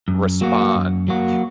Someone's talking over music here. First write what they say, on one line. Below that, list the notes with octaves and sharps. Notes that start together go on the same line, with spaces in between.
respond yeah
F#2
F#3 A#3 F#4
F#2
F#3 A#3 F#4